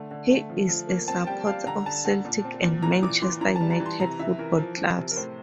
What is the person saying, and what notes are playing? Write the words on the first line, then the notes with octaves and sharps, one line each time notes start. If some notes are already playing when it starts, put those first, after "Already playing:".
He is a supporter of Celtic and Manchester United football clubs.
Already playing: D3 A3
D3
A3
F3
F3
A#3
C4 A5
G3 G5
G3 F5
D3 A#5
D3 A5
D3 A5
A#2
C4
A#2
E3 A#5
E3 D6
E3 C6
E3 A#5
A5
G3
A#5
E3
C6
C3 A#5
E3 E5
E3 A#4
F3
F3
C3
A#4
A2 C5